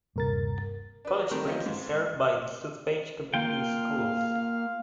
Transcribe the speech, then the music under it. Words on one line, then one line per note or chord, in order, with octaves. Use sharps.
College Springs is served by the South Page Community Schools.
D#1 G2 C3 A#3 A#4 A6
D4 B4
F#3
D#3 G3 A3 C4 A#4
A#3 C#4 F4 G4 D#5
G#2
A#3 F4 F5 G5